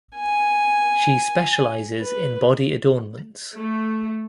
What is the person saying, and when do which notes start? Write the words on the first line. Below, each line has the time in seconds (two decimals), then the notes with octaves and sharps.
She specialises in body adornments.
0.16 G#5
2.02 B4
3.55 A3